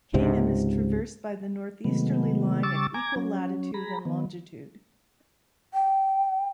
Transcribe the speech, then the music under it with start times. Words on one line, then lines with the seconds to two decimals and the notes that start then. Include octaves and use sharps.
Kanem is traversed by the northeasterly line of equal latitude and longitude.
0.14 C#2 G#2 C3
1.84 C3 D#3 F#3 G#3 A3 B3
2.63 C#3 G3 C#6 D6 E6 A6
2.94 G#5 A#5 D6 G#6
3.16 F#3 C#4
3.74 G#4 A#5 B5
4.05 D#3 B3
5.74 G5